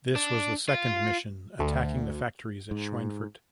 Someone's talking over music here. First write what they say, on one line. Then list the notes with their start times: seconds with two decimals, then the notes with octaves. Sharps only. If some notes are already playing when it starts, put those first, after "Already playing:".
This was the second mission attacking the factories at Schweinfurt.
0.16 D4
0.69 F4
1.59 D2
2.71 G#2